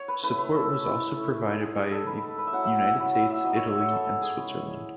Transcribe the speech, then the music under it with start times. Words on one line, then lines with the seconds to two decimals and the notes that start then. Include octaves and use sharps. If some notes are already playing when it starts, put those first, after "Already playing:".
Support was also provided by United States, Italy, and Switzerland.
Already playing: C#5
0.08 B4
0.22 A3 C#4 E4 B4
0.38 B4
0.54 A4
0.69 A3 C#4 E4
1.15 A3 C#4 E4
1.60 G#3 D#4 G#4
1.76 G#4
1.91 A4
2.06 G#3 D#4 B4
2.22 A4
2.38 B4
2.47 E5
2.52 F#3 C#4 E4 F#5
2.64 E5
2.76 E5
2.87 F#5
2.99 F#3 C#4 E4
3.14 F#5
3.29 E5
3.44 F#3 B3 D#4 D#5
3.56 C#5
3.67 E5
3.79 C#5
3.90 F#3 B3 D#4 A4
4.21 G#4
4.37 G#3 C#4 E4